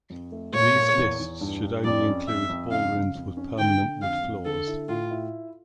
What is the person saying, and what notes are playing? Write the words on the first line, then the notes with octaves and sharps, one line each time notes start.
These lists should only include ballrooms with permanent wood floors.
F2
A3
A#2 C#5
A#2
E2
E2
G2
G2
F2 D5
C#4
F2 E5
F2
C#3 F5
C#3
F2
C#4
D3 G5
D3
F2 F5
F2
D3 A4
E4
A2 F4
E4